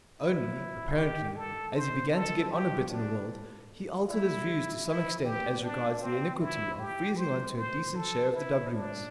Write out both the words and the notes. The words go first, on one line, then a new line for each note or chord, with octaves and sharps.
Only, apparently, as he began to get on a bit in the world, he altered his views to some extent as regards the iniquity of freezing on to a decent share of the doubloons.
E4
G4
A4
C5
A4
G4
D4
E4
E4
G4
D4
C4
E4
G4
C5
C5
A4
E4
D4